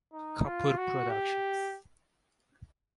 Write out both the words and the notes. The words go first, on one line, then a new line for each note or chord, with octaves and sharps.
Kapur Productions.
D#4
F4
F#4
G4